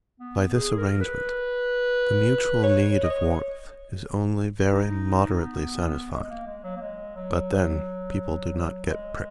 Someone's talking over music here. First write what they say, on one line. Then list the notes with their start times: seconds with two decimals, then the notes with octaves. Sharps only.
By this arrangement the mutual need of warmth is only very moderately satisfied; but then people do not get pricked.
0.20 B3
0.55 G#4
0.78 A#4
1.01 B4
2.64 C#5
3.03 D#5
3.10 C#5
4.72 D#4
5.42 B3
6.12 G#3
6.23 G#3
6.30 A#3
6.47 G#3
6.63 F#3
6.77 A#3
6.81 G#3
7.16 F#3
8.86 F#3
8.90 G#3